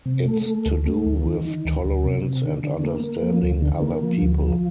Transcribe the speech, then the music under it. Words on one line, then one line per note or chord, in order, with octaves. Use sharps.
It's to do with tolerance and understanding other people.
C3
A3
A3
D2
A3
D2
D#3
D#3
D2
D2
C3
C3
D3
D3
A#3
A#3
F3
D2
D3
A#3
F3
D2
F3